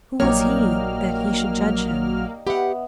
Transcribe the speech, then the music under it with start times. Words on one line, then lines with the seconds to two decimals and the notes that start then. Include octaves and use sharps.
Who was he that he should judge him?
0.20 A#1 F#3 A#3 D#4 G4 C#5 D5 F6
2.47 B3 G4 E5 F#5